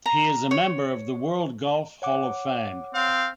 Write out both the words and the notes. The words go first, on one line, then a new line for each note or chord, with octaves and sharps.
He is a member of the World Golf Hall of Fame.
A#5
C#5
C#5 F#5 D6
C4 F5